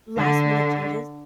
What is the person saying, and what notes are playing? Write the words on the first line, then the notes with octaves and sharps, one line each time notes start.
last minute changes,
D3